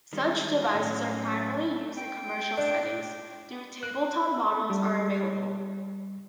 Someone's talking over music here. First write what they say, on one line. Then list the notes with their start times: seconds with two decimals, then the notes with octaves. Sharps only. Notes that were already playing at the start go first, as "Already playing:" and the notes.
Such devices are primarily used in commercial settings, though tabletop models are available.
0.13 D#3 G3 G#3
0.74 A2 F#3 C#4
1.97 G5
2.57 D4
3.83 F#6
4.70 G3